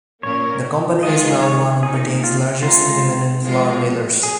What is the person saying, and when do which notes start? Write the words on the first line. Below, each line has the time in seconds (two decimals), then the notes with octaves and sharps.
The company is now one of Britain's largest independent flour millers.
0.23 A#2 A#3 C#4 A#4 C#5
1.03 D#3 G#3 F4 G#4 D#5
1.43 C#5
1.83 A#2 A#3 D#4 G#4
2.24 F4
2.63 G#3 D#4 F4 G#4
3.43 F3 G#3 F4
4.23 G#4